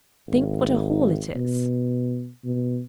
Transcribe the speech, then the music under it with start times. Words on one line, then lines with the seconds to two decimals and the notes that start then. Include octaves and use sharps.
Think what a haul it is!'
0.28 G#1
1.35 B2
2.45 B2